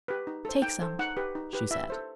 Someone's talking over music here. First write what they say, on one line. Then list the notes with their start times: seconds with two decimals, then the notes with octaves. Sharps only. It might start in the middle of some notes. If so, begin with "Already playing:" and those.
"Take some," she said.
0.08 G4 B4
0.27 D#4
0.45 A4 C5
0.62 D#4 G5
0.81 A4 C5
0.99 D#4 F#5
1.17 G4 B4
1.35 D#4
1.53 G4 B4
1.71 E4 E5
1.90 A4 C5